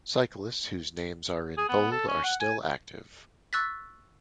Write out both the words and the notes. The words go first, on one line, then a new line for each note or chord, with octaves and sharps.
Cyclists whose names are in bold are still active.
G#4
B3
A4
C#4
F#5
G#5
C#6 E6 F#6 A6 B6